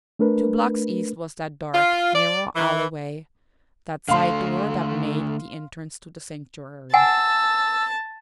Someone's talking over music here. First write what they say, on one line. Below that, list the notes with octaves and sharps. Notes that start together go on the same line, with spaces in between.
Two blocks east was that dark, narrow alleyway, that side door that made the entrance to the Sanctuary.
A3 D4 A#4 B4
F4
D5
E3
D3 A3 F5 C6
F#5 G#5 A5 E6